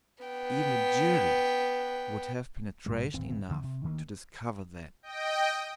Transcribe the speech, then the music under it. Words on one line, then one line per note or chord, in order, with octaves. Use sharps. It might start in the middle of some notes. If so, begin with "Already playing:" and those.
Even a jury would have penetration enough to discover that.
B3 G5
B1 G#2 G3
D1 G#1 C4
D2 D3 F3
C3
D2 D#3 A3 A#3
D#5 G5